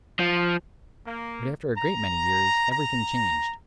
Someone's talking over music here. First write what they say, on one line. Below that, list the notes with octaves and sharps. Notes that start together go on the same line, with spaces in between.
But after a great many years, everything changed.
F3
A#3
A#5
A#5